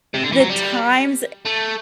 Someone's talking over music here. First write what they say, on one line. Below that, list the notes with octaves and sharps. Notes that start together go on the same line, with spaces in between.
the times, eh
C3
D3
E3
F#3
G3
A3